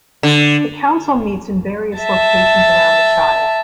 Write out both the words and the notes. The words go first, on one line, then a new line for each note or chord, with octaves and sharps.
The council meets in various locations around the Shire.
D3
E5 A5